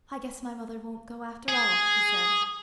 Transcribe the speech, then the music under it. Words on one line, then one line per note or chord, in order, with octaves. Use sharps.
"I guess my mother won't go, after all," she said.
G#4